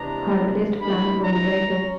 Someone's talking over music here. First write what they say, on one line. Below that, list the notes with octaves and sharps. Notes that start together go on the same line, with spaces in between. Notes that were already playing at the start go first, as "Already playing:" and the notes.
Herbalist, plants women, writer.
Already playing: C3 E3 G#3 B3 D4 A#5
G2 E3 G#3 B5
A#5
C#4